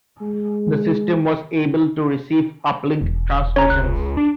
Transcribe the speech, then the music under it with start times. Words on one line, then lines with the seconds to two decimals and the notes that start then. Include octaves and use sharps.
The system was able to receive uplink transmissions.
0.21 G#3
3.01 E1
3.56 C#4 C#5 A#5
3.70 C#2 F#6
4.17 D4